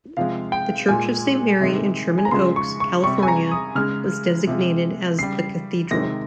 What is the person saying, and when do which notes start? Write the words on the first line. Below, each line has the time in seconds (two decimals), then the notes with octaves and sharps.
The Church of Saint Mary in Sherman Oaks, California, was designated as the cathedral.
0.17 C3 F3 G#3 F5
0.52 G5
0.88 A#2 G#3 G#5
1.60 C3 D#3 G#3
2.18 G#5
2.25 A#5
2.31 C#3 F3 G#3 C6
2.56 C#6
2.80 C#6
3.04 C3 G3 C#6
3.23 G#5
3.28 A#5
3.51 D#6
3.75 C#3 G#3 F6
4.47 C3 F3 G#3
5.19 C#3 G3 C7
5.91 C3 D#3 G#3 A#6